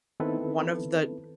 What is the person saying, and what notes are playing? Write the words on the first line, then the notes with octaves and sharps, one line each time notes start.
one of the
D#3 B3 C4 E4 A4 B4